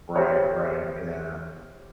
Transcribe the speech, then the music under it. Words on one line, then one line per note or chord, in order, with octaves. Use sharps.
Right. Right. Yeah.
G4 C5 C#5